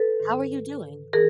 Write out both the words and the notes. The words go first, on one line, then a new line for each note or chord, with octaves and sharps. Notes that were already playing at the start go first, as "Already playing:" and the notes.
How are you doing?
Already playing: A4 B4
G#2 D#3
E3 G#4 A#4